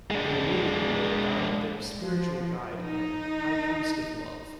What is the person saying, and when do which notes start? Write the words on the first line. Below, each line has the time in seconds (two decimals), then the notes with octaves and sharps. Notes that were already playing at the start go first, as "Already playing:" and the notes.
They immediately made Dado their "spiritual guide" and "high priest of love".
0.11 G#3 D4
1.98 F3
2.81 D#4